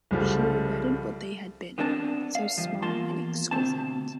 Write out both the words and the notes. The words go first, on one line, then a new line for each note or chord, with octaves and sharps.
She regretted what they had been — so small and exquisite.
C2 C#3 F3 G3 A3
B3 C4 D4 A#4 F#5 A5
F5
G2 F3
E2 A#3 F4 A5 C6
D2 B2 C4 A5